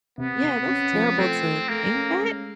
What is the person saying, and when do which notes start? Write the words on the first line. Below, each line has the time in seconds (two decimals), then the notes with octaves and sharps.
Yeah, that's terrible to think that.
0.18 C3 B3
0.43 C3
0.68 C#4
0.93 F3
1.18 A3 C4
1.44 A3
1.68 A3 A#3
1.94 C#4
2.19 G#3